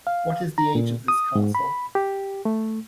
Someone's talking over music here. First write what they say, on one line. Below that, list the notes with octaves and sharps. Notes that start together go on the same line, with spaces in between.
What is the age of this castle?
F5
A#5
A#2
D#6
G#2
B5
G4
A3